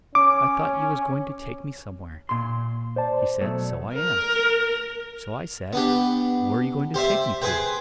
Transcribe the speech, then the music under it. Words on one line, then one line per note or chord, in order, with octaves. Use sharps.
I thought you was going to take me somewhere.' He said, 'So I am.' So I said, 'Where are you going to take me to?
C#4 D6
A#2 C6
C5 D5 A5
B2 F#3 A3
A#4
B3 D4 G4
G4 C5 D5 E5
G#4 B4 C5 G5